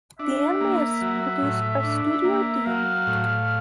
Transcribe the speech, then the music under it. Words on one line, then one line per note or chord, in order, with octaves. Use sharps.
The anime is produced by Studio Deen.
D4 E5
A#3
F#3
A2
D4
A#3
F#3 F5
A2